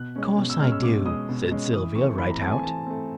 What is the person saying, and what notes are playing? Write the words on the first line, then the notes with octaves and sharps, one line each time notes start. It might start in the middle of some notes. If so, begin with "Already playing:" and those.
"Of course I do," said Sylvia right out.
Already playing: B2 F#6
G#3 C#4
B2
E6
G#3 C#4 F6
E6
B2 D6
G#3 C#4 D#6
B2
G#3 C#4
E3 D#6
A3 C4 C#6
E3 B5
A#5
A3 C4 A5
G#5
E3 A5
A3 C4